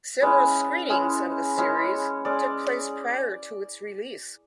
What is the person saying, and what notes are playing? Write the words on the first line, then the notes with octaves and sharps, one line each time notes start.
Several screenings of the series took place prior to its release.
G#3 C#4 E4 B4
G#3 C#4 E4
G#3 C#4 E4 C#5
G#3 C#4 D5